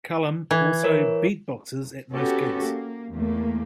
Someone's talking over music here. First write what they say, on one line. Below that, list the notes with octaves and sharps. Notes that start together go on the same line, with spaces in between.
Cullum also beatboxes at most gigs.
E3 G#6
A#4 C#5
B3 C#4 F#4 G4 A4
A#3
E2 A3 A#3